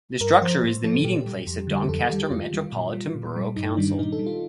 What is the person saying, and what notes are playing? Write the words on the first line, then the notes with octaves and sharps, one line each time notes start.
The structure is the meeting place of Doncaster Metropolitan Borough Council.
G2 A#4
F3 C5
A2
F3 A4
A#2 G4
G3
F2
D3 G3
G4
F2 A4
D#3 G3 G4
G4
F2 F4
D#3 G3
A#2
G3
A#2
G3
G2 D#4
D#3 G3 D4
A#2 D#4
A4
G3
F4